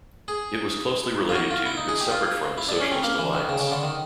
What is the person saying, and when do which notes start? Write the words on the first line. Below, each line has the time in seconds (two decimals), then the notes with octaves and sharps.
It was closely related to, but separate from the Socialist Alliance.
0.28 G#4
1.29 F4
1.35 F#4
1.50 F4
1.66 E4
1.77 D#4
1.89 G#4
2.00 G4
2.11 F4
2.58 E4
2.69 D4
2.80 C#4
2.91 C4
3.03 A#3
3.18 E3
3.33 D#3
3.49 C#3
3.60 C#3
3.71 D3
3.83 D#3